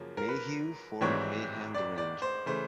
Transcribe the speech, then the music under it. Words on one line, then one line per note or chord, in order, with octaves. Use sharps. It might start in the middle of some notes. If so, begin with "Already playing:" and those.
Mayhew formed Mayhem Deranged.
Already playing: F#2 C#3 F3 A#3
A#4
B4
G#1 G#2 E3 G3 C4 C#5
D5
D5
C5
C#3 E3 A3 C5